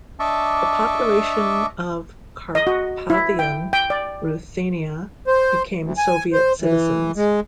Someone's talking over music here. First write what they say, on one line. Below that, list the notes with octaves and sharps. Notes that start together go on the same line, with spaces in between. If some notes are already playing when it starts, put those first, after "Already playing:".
The population of Carpathian Ruthenia became Soviet citizens.
D4 D#5 E5 A5 C#6 D6
D#5
F#4
E4
G5
G5
D5
C5
D2
G#5
C5
E3
G#3